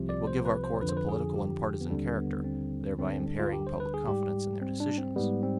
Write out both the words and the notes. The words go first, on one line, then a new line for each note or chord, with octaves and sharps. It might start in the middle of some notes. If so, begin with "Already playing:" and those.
It will give our courts a political and partisan character, thereby impairing public confidence in their decisions.
Already playing: C2 C3 F3
D5
C5
B4
C5
F2 D3 F3 B4
C5
B4
G#4
G4
B3
D#2 D3 G3 C4
B3
C4
D2 D3 G3 C4
C4
D4
F4
G4
C5
B4
G#4
G#2 G3 G4
C4
D4
C4
G#2 G3 B3
C4